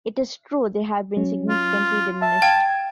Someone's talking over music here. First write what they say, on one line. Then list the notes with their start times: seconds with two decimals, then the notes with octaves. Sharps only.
It is true they have been significantly diminished.
1.17 F#3 C#4
1.49 F4
2.22 E5 A5
2.42 F5 G5 G#6